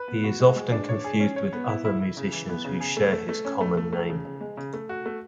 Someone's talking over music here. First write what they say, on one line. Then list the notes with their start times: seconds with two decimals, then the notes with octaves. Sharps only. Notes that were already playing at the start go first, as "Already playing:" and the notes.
He is often confused with other musicians who share his common name.
Already playing: B4
0.08 B3
0.24 F#4
0.40 G#3
0.56 G#3
0.72 D4
0.89 C#5
1.04 G#4
1.20 C#4
1.36 C#5
1.53 B3
1.68 E4
1.85 E4
2.00 E4
2.17 C#3
2.32 E3
2.49 B3
2.65 C#3
2.81 G#4
2.97 A3
3.13 A3
3.29 A3
3.45 C#4
3.61 A3
3.77 A3
3.93 A3
4.09 C#3
4.25 C#3
4.41 G#3
4.57 C#3
4.73 A3
4.89 F#4
5.06 A3